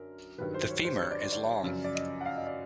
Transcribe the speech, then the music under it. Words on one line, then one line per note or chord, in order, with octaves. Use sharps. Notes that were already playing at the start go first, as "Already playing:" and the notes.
The femur is long.
Already playing: F#2 D3 A#4
G2 D#3 F#3 B4
C5
C#5
C5
C#5
D5
D5
D5
F#2 C#3 F3
D5
D#5
F#5
F5
D#5
D5